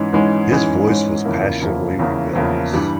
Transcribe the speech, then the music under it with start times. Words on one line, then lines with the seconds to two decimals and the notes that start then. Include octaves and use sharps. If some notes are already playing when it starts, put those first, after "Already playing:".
His voice was passionately rebellious.
Already playing: G#2 E3 G#3 C#4
0.13 G#2 E3 G#3 C#4
0.50 G#2 E3 G#3 C#4
0.87 G#2 E3 G#3 C#4
1.24 E2 C#3 F3 A#3 E4
1.61 E2 C#3 F3 A#3 E4
1.99 E2 C#3 F3 A#3 E4
2.35 E2 C#3 F3 A#3 E4
2.73 G2 E3 G3